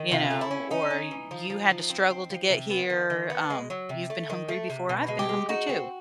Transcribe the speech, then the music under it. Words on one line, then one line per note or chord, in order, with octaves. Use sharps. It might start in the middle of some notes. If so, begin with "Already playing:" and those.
you know, or "You had to struggle to get here," um, "You've been hungry before. I've been hungry too.
Already playing: D#3
C3 F4
A3
E4
C#4
C#4 D#4
C#4
E3
F3
F3
F3
C4
C4
F3
C3
B3
D#3
D#3
B3
G#3
F#3
C3
A3
D#3
A3
C3
B2
G#3
G4
G#3
D#4 F#4
C4